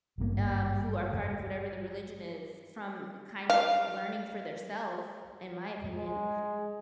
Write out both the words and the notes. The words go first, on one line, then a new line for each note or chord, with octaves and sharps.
um, who are part of whatever the religion is from kind of learning for their self, in my opinion.
G#1 G2 C3 A#3
F5
G#3